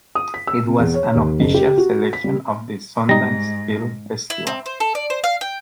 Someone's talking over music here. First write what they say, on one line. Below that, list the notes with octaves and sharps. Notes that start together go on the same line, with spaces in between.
It was an official selection of the Sundance Film Festival.
D#6
B6
E6
C3
E2
C#5
D#2
F#1
G4
F#4
B6
G3
G#2 G3 D#4 A#6
E4
C4
C5
A4
D5
C5
F5
G5